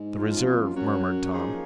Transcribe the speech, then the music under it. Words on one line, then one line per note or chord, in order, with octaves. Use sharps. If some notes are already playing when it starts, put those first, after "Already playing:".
"The reserve," murmured Tom.
Already playing: G#2
F3 A#3 C#4 F4
C3
F#2
F#2 F#3 C#4 F#4 A#4 C#5
F3 A#3 D#4 G#4 C#5